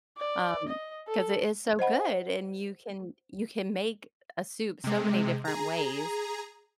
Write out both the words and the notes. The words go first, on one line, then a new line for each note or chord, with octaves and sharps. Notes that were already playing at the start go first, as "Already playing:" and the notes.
um, 'cause it is so good, and you can you can make a soup so many different ways
D5
D#5
A4
C5 D#5 F#5 B5
C3 G#3
G#4 A#5